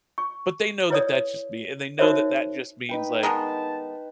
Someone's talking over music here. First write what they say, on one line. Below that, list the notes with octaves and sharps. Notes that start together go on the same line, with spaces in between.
but they know that that's just me, and they know that that just means, like,
C#6
E4 B4 C#5 D5 D#6
D#4 F#4 A#4 C5 C#5 E5
D#4 B4 G5
D#3 G#3 B3 A5